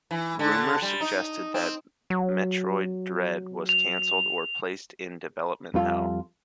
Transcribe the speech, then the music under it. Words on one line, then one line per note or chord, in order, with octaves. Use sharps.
Rumors suggested that "Metroid Dread" was cancelled or placed in development hell.
E3
D3
G3
D#4
C4
F#3
F7
F2 G3 F4 A4